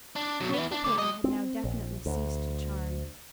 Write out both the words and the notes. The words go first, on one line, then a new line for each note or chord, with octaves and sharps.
Treacle-pudding had now definitely ceased to charm.
D4
B2 F#3
B3 E4
D4
A3 D5
F#3 D#5
C4
A#1
D2